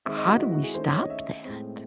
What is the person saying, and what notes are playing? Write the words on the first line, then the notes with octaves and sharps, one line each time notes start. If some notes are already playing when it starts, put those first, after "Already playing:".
How do we stop that?
D#3 G#3 C4 E5
D#5
F#4
E4
F#4
G#4
D#3 A3 C#4 C5
C#5
D#5
E5
A2 G#3 C4